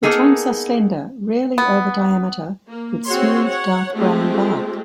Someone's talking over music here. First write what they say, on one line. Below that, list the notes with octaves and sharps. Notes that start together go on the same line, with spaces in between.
The trunks are slender, rarely over diameter, with smooth, dark brown bark.
A#3 B3 D#4 G#4 A4
B3
A#3
C4 F#4 G#4 C#5 C6
C#5 F#5
G#3 A3 C4 F4 G4